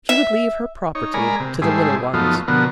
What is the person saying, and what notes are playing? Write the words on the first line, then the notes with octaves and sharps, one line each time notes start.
She would leave her property to the little ones.
E5
D#4 C#5
G#3 A#4 D5 G#5 A#5 B5
C3
G#2 G3 A3 E4 G#4 C5
F#2 F3 A3 B3 D#4 F4
B2 D3 F3 B3 F#4 A#4